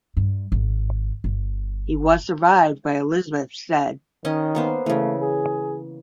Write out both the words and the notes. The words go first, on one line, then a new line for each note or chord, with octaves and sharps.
He was survived by Elizabeth Said.
G2
G#1
G1
D#3 C#4 D#5
A#3 B3 C5
C#3 E3 A3
G#4